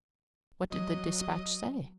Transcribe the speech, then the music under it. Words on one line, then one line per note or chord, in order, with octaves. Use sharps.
What did the despatch say?
F#3 D#5